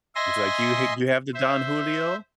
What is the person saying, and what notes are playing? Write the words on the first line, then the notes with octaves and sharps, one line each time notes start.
He's like, you hate you have the Don Julio?
D#5 E5 G#5 C6 A#6
C5 E5